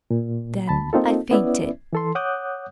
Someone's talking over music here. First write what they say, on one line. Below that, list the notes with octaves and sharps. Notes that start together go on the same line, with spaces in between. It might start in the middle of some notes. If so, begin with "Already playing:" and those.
Then I fainted.
A#2
D2 A5 B5
A#3 C4 D#4 F4 A4
B3 C#4 E4 B4 D5 E5
E3 A4 C6
C#5 F#5 D6 D#6 F#6 G6